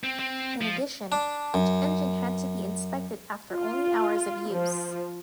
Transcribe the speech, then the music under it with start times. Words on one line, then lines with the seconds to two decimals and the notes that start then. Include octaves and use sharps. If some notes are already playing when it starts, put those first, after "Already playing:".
In addition, each engine had to be inspected after only hours of use.
0.04 C4
0.19 C4
0.61 F3
1.12 D4
1.54 F#2
3.52 F4
4.48 F3